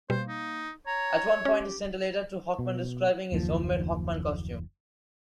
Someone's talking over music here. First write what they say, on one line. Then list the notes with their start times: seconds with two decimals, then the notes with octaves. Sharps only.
At one point he sent a letter to Hawkman describing his home-made "Hawkman" costume.
0.10 B2 G3 A#3 C5
0.28 D#4
0.87 C#5 A#5
1.45 C#4 G4
2.59 B2
3.32 F#1 D#2 F3